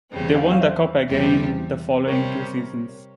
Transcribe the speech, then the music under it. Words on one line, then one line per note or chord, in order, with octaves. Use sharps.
They won the cup again the following two seasons.
E2 C#3 G3 C4
F5
C#5 F5
C5 E5
E2 C3 G3 C4 G4
C3 G3 C4 A#4 C#5